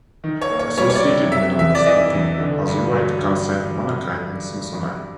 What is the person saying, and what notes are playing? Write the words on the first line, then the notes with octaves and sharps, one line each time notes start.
Associated minerals include azurite, calcite, malachite, and smithsonite.
D#3
C#5
A#3
C#5
G3 C#5
C#5
D5
C3
C3 E5
E2 E5
D5
E3 D#5
E2
D3
G2
F#3
G2